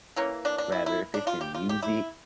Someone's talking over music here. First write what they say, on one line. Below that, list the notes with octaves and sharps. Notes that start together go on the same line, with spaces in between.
Rather if it's in music
E3 A#3 C#4
D4
D4
E4
E4
D4
F4
G4
F4
G4
E4